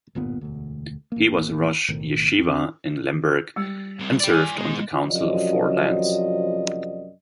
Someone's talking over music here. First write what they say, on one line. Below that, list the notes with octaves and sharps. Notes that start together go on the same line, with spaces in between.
He was Rosh Yeshiva in Lemberg and served on the Council of Four Lands.
D1 G1 A#2 B3
E1 D2
A1 A#3
B1 A2 D#3
E2 C4
G3 E6 C#7
C2
D5 G5
D5 G#5
B2 G#3 D#4
F#2 C3 F3 F#3 D5 D#5